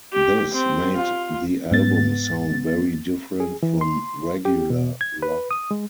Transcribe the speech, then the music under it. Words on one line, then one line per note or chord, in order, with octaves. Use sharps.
This made the album sound very different from regular rock.
G4
C4
F4
G#2 B3 A6
G#4
E3
C6
G4
B2
G#6
B4
D#6
G#3